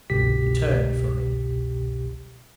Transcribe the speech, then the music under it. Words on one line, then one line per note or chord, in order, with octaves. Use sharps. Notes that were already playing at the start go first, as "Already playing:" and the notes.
She turned from me.
G1 C2 B2 G4 B6